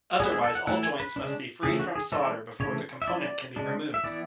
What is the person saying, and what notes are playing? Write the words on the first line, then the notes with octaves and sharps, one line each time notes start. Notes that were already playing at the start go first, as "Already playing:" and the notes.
Otherwise all joints must be freed from solder before the component can be removed.
G#3 B3 E4 G#4
G#4
A4
F#5
E3 A3 E4 F#5
G#5
B4
C#3 G#3 D4
C#3 E3 A3 G#4
F#4
G#4
E3 G#3 D4 A4
C#3 E3 A3 C#5
E5
F#3 C#4 E4 D5
C#3 G#3 D4
E5
E3 B3 E4 D5